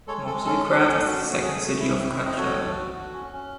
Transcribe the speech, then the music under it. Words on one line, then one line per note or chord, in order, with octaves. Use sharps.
Momčilgrad is the second city of Kărdžali.
G#3 A4 C#5
G#3 A4
C#4 A4
C#4 A4
C#4
F#4
A3
G#4
A3
E4
C4
E5
C4
D#5
F#4 A4 C#5
F#4
F#4
F#4
C#4
C#4